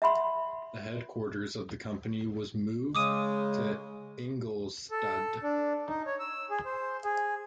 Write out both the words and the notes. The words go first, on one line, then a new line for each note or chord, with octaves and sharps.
The headquarters of the company was moved to Ingolstadt.
E5 F#5 B5 C6
C#3 G#3 D6 D#6 D#7
A4
D4
D#4
C#5
E6
G#4
C5
G#4